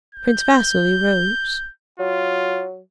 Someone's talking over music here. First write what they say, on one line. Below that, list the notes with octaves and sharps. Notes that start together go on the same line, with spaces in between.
Prince Vasili rose.
G6
F#3 F4